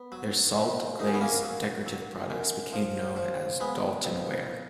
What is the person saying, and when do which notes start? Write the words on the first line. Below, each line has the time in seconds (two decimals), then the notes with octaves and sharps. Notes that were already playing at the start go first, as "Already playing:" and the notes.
Their salt glaze decorative products became known as 'Doulton Ware'.
Already playing: B3
0.12 F#3
0.56 F2
0.99 F#2 D#4
1.07 C#4
1.14 B3
1.21 A#3 C#4
1.43 F#3
1.86 F#3
2.30 F#2
2.73 F3
3.16 F3
3.60 G#3 B3
4.04 F2